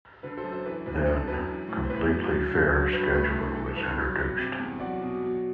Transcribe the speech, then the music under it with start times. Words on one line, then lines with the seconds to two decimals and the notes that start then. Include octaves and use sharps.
Then, Completely Fair Scheduler was introduced.
0.23 D3 B4
0.37 A4 C5
0.44 F#2
0.52 A4 C5
0.65 E3 B4
0.86 F#2 B4
1.06 D3 A4
1.27 F#2 B4
1.48 E3
1.68 A2
1.83 C5
1.90 E3 B4
2.10 F#2
2.31 F#3
2.51 D3
2.73 F#3
2.93 G2 B4
3.14 A3 B4
3.35 D3
3.55 E3 A4
3.66 A4
3.76 G2 B4
3.98 F#3
4.18 G2
4.39 C3
4.59 E2
4.80 F#3 D5 F#5
5.02 B2
5.22 F#3